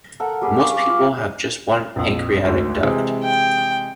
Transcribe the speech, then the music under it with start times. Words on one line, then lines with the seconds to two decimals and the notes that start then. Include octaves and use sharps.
Most people have just one pancreatic duct.
0.20 A4 A#4 F#5 A#5
0.41 G3 G4 G#4 B4
0.57 F5 C#6 D6
0.89 F4
1.96 A#1 F2
2.44 G#1 D2
2.83 C3 E3 G#3
3.24 G5